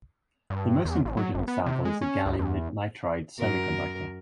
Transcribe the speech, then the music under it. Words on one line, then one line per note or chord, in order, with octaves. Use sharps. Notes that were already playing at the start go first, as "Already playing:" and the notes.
The most important example is the gallium nitride semiconductor.
G2
E2
A1
F#3
G1
B3
C3
G#3
C#4
C#2
E2
F#2 A#4